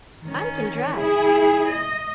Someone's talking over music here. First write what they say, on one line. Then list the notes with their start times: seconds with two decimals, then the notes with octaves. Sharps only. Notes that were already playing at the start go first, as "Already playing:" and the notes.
I can drive.
0.24 D#3 C#4
0.98 E4 G#4
1.69 D#5